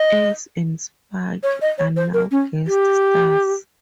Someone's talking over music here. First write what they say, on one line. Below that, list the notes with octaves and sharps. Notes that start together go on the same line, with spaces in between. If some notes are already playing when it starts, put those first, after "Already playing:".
Ace and Spike are now guest stars.
Already playing: D#5
C#5
D#5
C#5
C5
A#4
C#4
G4